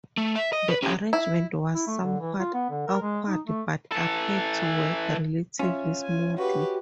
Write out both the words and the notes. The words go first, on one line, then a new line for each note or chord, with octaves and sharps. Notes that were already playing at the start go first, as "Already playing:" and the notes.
The arrangement was somewhat awkward but appeared to work relatively smoothly.
A3
E5
D#5
B4
C#4 G4
E4
E4
A3
D3
E3
F4
B3
D3
A#4
G#3
D#4
A3
E3 A4
C#4 F4 E5
G#5
F#4 G4 B4